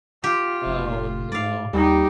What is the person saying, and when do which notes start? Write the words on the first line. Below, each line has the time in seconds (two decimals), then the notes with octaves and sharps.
Oh no.
0.24 F4 G4
0.66 F1
1.32 G#2 D5 F5
1.73 D#2 G3 D#4 G4